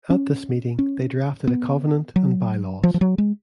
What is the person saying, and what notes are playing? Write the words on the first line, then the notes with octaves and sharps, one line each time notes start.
At this meeting, they drafted a covenant and bylaws.
C#4
C#4
B3
F#3
F3
F3
F#3
G#3